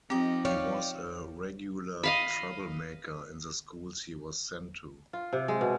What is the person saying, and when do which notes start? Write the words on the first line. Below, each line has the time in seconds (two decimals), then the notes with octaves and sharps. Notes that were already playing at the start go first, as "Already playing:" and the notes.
He was a regular troublemaker in the schools he was sent to.
0.10 F3 C4 D#4 G4 D#5
0.45 C#5 D5 F5 G5
2.03 D#5 F5 B5
5.13 F4
5.33 C3
5.48 G#3
5.61 B2